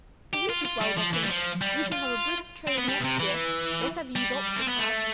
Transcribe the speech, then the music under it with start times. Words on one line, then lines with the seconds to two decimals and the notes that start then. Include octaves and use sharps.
If the wheat is well got in, we shall have a brisk trade next year, whatever you doctors have.'
0.34 G4
0.50 F4
0.66 F4
0.81 G3
0.98 F3
1.14 E3
1.23 G3
1.29 F3
1.61 G3
1.92 F4
2.67 C4
2.78 B3
2.88 G3
3.00 B2
3.04 C3
3.20 E3
4.16 G3
4.56 C4
4.68 B3
4.79 A3